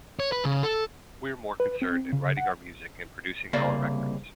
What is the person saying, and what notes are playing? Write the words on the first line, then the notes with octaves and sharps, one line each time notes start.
We're more concerned in writing our music and producing our records.
C#5
B4
C#3
A4
B4
C4
C#3
F#5
C2 C#3 A#3 D5 F5